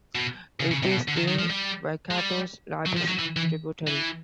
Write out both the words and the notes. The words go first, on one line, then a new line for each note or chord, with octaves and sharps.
It is the Waikato's largest tributary.
B2
C#3
C#3
C3
B2
D3
D#3
D#3
F3
G3
G#3
G3
F#3
F3
F#3
E3
E3
E3